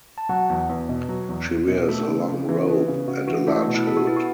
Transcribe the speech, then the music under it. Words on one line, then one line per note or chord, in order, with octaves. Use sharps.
She wears a long robe and a large hood.
A5
F#3 F#4 F#5
E2
E2
B2
F#3
E2
E2
B2
A3 B3 A4
C#3
C#3
E3
B3
C#3
C#3 F#4
E3 F#4
A3 E4 A4
F#4
B2
E4
B2 A4
F#4
B3 E4
F#4